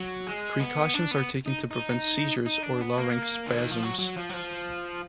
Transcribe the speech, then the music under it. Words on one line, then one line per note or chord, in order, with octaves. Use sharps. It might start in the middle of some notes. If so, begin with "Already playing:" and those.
Precautions are taken to prevent seizures or larynx spasms.
Already playing: F#3
G#3
B3
D4
B3
D#4
D#4
D#4
D4
B3
A#3
D3
D#3
F3
F#3
F#3
F3
F#3
F3